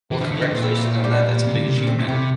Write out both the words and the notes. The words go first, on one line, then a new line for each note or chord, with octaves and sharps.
Well, congratulations on that, that's a big achievement.
E3
D3 F3 A3
D3
E3
D3 A3 C4
A#2 F4
C4 E4
A#3
A3 C4
G3 A#3
C3
D3
C3
A#2
A3 C4
F4
C3 E4 G4